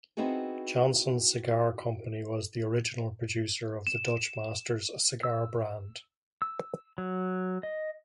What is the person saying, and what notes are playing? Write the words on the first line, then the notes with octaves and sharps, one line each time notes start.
Johnson Cigar Company was the original producer of the Dutch Masters cigar brand.
B3 C4 D#4 E4 F#4 G#4
E7
E6
E6
F#3
D#5